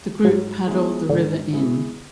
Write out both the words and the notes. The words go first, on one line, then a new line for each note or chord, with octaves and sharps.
The group paddled the River Inn.
G#2 F#3
G#3 B3 E4
G#2 D3
G#3 B3 E4